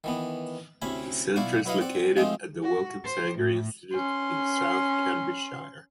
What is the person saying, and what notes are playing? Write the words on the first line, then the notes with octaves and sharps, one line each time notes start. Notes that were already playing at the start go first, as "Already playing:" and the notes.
The centre is located at the Wellcome Sanger Institute in South Cambridgeshire.
D#3 E3 B3
D2 C3 C#4 E4 G#5 B5
B1 E4 F#4 D5 F5 C#6
F#3 E4 B4 D#5 F5 F#5
C4 D5 F#5
F3 G#3 A3 C4 D#4
F#4
C5
A2
C#4 C6